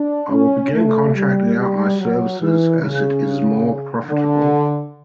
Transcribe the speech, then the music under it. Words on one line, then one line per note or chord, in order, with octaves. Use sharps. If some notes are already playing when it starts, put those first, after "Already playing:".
I will begin contracting out my services as it is more profitable.
Already playing: D4
C#4
A3
G3
G3
F#3
E3
C#3
D3